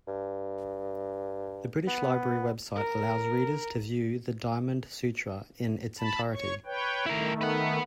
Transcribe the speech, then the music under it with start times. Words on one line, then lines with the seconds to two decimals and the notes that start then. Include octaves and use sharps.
The British Library website allows readers to view the Diamond Sutra in its entirety.
0.08 G2
1.87 B3
2.76 A#4
5.99 A5 B5
6.33 C#5 C#6
6.66 B4 C#5 G5
7.06 D#3 A3 E4 A#4
7.41 B4 F#5